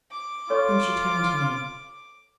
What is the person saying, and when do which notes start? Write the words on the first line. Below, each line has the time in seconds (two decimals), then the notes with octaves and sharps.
Then she turned to me.
0.11 D6
0.50 F4 A4 C#5 C#6